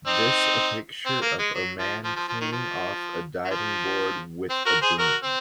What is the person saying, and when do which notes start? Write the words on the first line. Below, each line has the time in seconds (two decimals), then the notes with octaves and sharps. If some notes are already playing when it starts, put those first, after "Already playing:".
This a picture of a man cleaning off a diving board with a broom.
0.07 C4 D#4
1.06 C4
1.22 A#3
1.39 G#3
1.55 F#3
1.79 F3
2.04 F3
2.16 F3
2.28 F3
2.41 D#3
2.52 F3
3.45 F#3
3.50 F3
4.50 C4
4.65 F#4 A#4
4.82 G#4 C5
4.98 F#4 A#4
5.23 C4